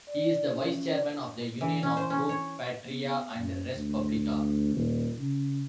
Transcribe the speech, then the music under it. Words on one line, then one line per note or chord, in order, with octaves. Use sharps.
He is the Vice-Chairman of the Union of Pro Patria and Res Publica.
D5
C#4
D5
E3
C#4
C5
C#4
C#5
B3
F#2
D2
D#1
C#3